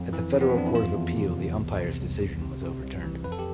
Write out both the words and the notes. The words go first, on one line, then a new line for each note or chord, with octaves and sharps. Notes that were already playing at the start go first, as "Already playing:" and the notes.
At the Federal Court of Appeal the Umpire's decision was overturned.
Already playing: F2
E3
F2
B3
C4
F2 D4
E4
E2 F4
E2
C3
E2
C2
C3
C2
C2
C3
C3
C2
E3
F2 B4
A4
G4